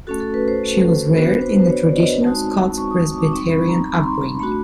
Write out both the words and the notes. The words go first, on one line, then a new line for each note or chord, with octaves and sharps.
She was reared in a traditional Scots Presbyterian upbringing.
A3 C#4 F#4 A4
A4
B4
C5
B3 D4 F#4 B4
C5
C5
C5
C#5
D5
D#5
G#3 C4 D#4 F#4 A5
C#6
D#6
D6
G3 C4 D#4 C#6
B5
A#5
B5
C6
B5
A3 D4 F#4 B5